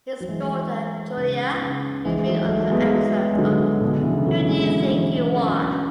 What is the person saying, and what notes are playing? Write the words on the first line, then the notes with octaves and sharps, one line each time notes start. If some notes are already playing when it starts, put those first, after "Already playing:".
His daughter Julia revealed on her episode of Who Do You Think You Are?
F#3
E3 G#3
C#3
C#3
E3 G#3
F#3 A3
F#3 A3
G#3 B3
F#3 A3
G#3
D3 F#3
B2 D3
C#3 E3
D3 F#3
E3 G#3
E3 G#3
F#3
E3 G#3
F#3 A3
A3 C#4
F#4
C#4 E4